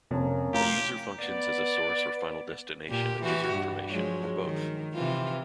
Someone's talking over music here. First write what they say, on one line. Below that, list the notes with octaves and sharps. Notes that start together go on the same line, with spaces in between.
A user functions as a source or final destination of user information, or both.
F2 C3 A#3 C#4 A#4
A3 F4 G4 A#5
B3 D5
A#2 G4
E3 F#4 G4
G2
F3 F#3 G#3
D#3
C3 E3 F4